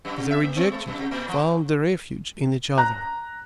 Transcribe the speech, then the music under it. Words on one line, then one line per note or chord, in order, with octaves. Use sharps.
The rejected found a refuge in each other.
F#2
C3
E5
A#3
B3
G#3
F#2
C3
A#2
F3
A#5 F#6